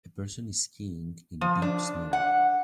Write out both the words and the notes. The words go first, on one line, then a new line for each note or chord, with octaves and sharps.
A person is skiing in deep snow.
F3
D4
F#5